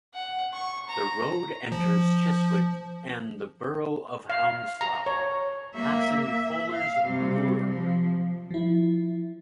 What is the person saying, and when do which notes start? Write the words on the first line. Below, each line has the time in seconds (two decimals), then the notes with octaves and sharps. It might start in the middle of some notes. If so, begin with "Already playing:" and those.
The road enters Chiswick and the Borough of Hounslow, passing Fuller's Brewery.
0.14 F#5
0.54 C#6
0.89 A#5
1.72 F3
4.30 F5
4.81 A#5
5.06 C#5
5.75 A#3 E5
6.22 E5
6.73 F5
7.04 C3 G3
7.65 F3
8.50 F3 E4